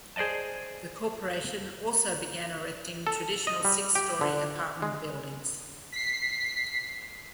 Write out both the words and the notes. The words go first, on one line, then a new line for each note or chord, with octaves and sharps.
The corporation also began erecting traditional six-story apartment buildings.
G#4 C5 D5 D#5 A5
A4
D#5
G3
G4
D3
G#3
B6 C7